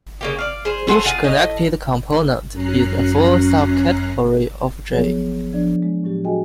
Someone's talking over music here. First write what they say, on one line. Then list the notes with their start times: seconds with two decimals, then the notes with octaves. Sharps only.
Each connected component is a full subcategory of "J".
0.21 C#3 A#3 G4
0.38 D5 F5
0.65 G#4 C5
0.87 A3 G#4 C5 F#5
1.06 F4 G#4 F#5
1.24 A2 D#5
2.52 F#2 C#4 A#5 F#6 C7
4.90 F3 F#3 B3 G#4 C#5
5.53 F3 D4 D5
5.83 G#3
6.04 A2 F#3 G4
6.24 F#4 G#4 D#5 G5 G#5